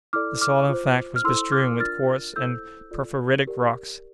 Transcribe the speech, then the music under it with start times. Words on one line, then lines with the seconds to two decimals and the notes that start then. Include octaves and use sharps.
The soil, in fact, was bestrewn with quartz and porphyritic rocks.
0.13 E4 A4 D5 D6 F6
0.41 D6 F6
0.69 F4 C5
1.16 F6
1.24 E4 A4 C5 C6 E6
1.52 D6 F6
1.80 D4 F4 A#4 D5 F6 A6
2.36 E4 A4 C5 E6 G6
2.91 F4 A4 D5
3.47 G4 A#4 D5